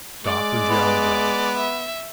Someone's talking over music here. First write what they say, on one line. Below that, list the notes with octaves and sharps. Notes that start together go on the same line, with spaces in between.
Stopped and geologised.
G#3 D5 D6
B3
E5